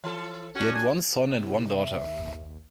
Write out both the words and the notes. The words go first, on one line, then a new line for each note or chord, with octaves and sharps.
He had one son and one daughter.
E3 A4
C#4 D4 F#4
G#5
C3
E4
E5
D#2